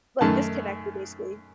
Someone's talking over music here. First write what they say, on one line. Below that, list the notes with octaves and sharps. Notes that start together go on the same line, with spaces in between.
like, disconnected, basically.
F#2 D#3 A3 A5